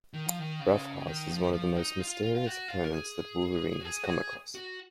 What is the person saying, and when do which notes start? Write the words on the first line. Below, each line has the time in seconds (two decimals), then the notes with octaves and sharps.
Roughouse is one of the most mysterious opponents that Wolverine has come across.
0.13 D#3
0.26 F3
0.39 D#3
0.60 C#3
1.07 D#3
1.30 F3
1.53 F3
1.76 D#4
1.99 F4
2.23 F4
2.35 F4
2.46 F#4
2.68 F4
2.84 A#4
2.93 G#4
3.80 F#4
3.85 G#4
4.04 F#4
4.08 G#4
4.55 F#4